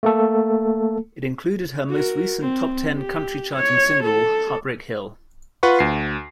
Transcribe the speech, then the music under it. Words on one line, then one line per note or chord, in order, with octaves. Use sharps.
It included her most recent top-ten country-charting single, "Heartbreak Hill".
A3 A#3 A4
F#4 A#4
C4
G4
C#5
A4
F4 B4 F#5 C#6
D2 C7